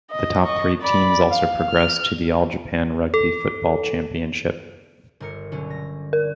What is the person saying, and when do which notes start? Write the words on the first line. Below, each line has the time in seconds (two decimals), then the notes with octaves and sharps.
The top three teams also progressed to the All-Japan Rugby Football Championship.
0.10 D#5
0.43 D#5 C#6
0.81 D5 B5
1.29 F5
1.69 F6
3.14 A4
5.20 G1 A#4 C#7
5.52 B1 D3 C#4
5.70 A#6
6.13 A#4